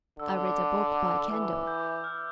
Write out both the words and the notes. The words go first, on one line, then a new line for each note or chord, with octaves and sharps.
I read a book by candle.
D3 E6
D6
D6
E3 E6
G6
F6